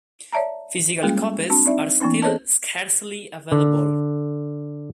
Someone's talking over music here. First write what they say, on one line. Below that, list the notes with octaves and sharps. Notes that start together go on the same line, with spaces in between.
Physical copies are still scarcely available.
C#5 D5 E5 A5 A#5
G3 G#3 A#3 C#4 F4 G#4
C4 D4 F#4 A5
C4 D#4 D5 E5
E3 A#3 B3 C#4 D#4
G#4 A4 C5 C#5 D#5 A5
D3